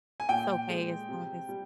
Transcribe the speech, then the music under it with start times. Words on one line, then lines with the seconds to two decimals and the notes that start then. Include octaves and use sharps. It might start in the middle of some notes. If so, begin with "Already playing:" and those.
it's okay as long as
0.20 G#5
0.29 A#2 G5
0.70 G#3
1.09 C3
1.49 G3